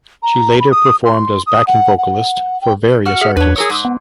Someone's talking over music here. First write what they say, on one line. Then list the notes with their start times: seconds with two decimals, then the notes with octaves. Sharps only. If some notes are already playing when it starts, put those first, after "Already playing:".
She later performed as backing vocalist for various artists.
0.23 A#5
0.60 B5
0.71 D#6
1.05 C6
1.46 D#6
1.67 F#5
1.98 F#5
2.61 G5
3.06 F#4 F#5 F6
3.21 G#4 E5 F6
3.37 E2 D4 B4 C#5
3.56 G#4 A#4 C#5 D#6 E6
3.69 G#2
3.85 B3